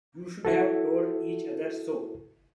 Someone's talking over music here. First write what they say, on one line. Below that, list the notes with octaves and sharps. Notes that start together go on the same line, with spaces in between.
You should have told each other so.
E4 F#4 A4